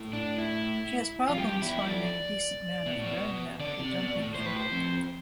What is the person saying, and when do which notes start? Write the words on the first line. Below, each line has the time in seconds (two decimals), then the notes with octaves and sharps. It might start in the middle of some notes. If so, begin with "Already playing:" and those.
She has problems finding a decent man of her own after dumping him.
Already playing: A2
0.13 D4
0.38 E4
1.28 F2 F4
1.37 G2 G4
1.62 E2 E4
1.82 G2
1.87 F2 D5
2.86 B2
2.96 A2
3.06 B2
3.60 D3 D5
3.79 C3
3.98 B2
4.16 A2
4.34 A2 C5
4.46 B4
4.57 C5
4.72 F2